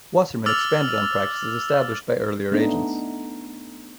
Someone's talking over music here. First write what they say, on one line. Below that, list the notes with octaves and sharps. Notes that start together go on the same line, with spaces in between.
Wasserman expanded on practices established by earlier agents.
D6 E6 F6 A6 F7 F#7
A3 B3 D4 D#4